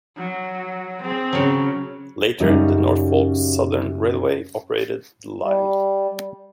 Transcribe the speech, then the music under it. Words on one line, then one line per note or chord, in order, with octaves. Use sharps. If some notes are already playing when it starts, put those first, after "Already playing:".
Later, the Norfolk Southern Railway operated the line.
F#3
C4 G#4
C#3 F#3
F#2 C#3 G3 D#4
G3